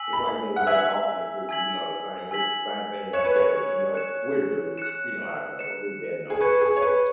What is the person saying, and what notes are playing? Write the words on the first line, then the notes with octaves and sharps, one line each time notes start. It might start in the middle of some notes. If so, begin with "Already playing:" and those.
it's like when we go golfing, it's, uh, you know, the same i same thing carries, you know, we're dudes, you know how it goes, we're betting on everything.
Already playing: G#5 E6 B6 F#7
B5
F#5
E5 G#5 E6 G#6 B6 F#7
G#5 E6 G#6 B6 F#7
G#5 E6 G#6 B6 F#7
C#5 F#6 C#7 E7
B4
C#5
F#6 C#7 E7
F#6 C#7 E7
F#6 C#7 E7
G#4
B4 C#6 G#6 C#7 E7
G#4
C#5
B4